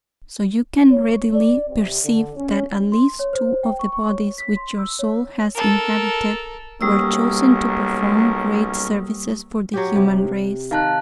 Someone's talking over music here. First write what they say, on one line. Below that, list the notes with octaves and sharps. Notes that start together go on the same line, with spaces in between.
So you can readily perceive that at least two of the bodies which your soul has inhabited were chosen to perform great services for the human race.
C#5
D5
C3
D3
C#4
C6
C#5
C5
G5
C#6
C#6
C#5
B6
C6
E6
C#5
A4 A#4
B1 G3 A#3 C#4 G4 A#4 D#6 E6
F#3 C#4 G4
C3
D#3 F5 A5 F#6